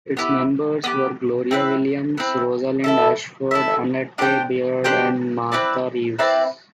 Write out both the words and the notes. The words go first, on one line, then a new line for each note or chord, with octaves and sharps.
Its members were Gloria Williams, Rosalind Ashford, Annette Beard and Martha Reeves.
B3 E4 G4
B3 E4 G4
C4 E4 B4
C4 E4 B4
E4 A4 E5
E4 A4 E5
D4 G4 C5 G5
D4 G4 C5 G5
C4 E4 B4 D5
C4 E4 B4 D5